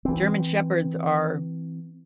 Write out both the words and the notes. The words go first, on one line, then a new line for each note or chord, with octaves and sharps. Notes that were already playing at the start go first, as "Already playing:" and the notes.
German Shepherds are,
E3 C4